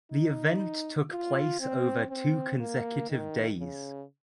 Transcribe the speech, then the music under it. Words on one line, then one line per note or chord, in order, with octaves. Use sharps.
The event took place over two consecutive days.
D#4
F4
C4
C4
A#3
D#3
C#3